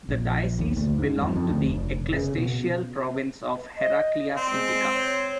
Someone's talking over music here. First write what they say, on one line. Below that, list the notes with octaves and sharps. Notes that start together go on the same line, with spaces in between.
The diocese belonged to the ecclesiastical province of Heraclea Sintica.
A#1
D#2
D2
G#2
F2
F2
D2
F1
C#3
B2
D#5
C4 C5 D5
G#3
C#5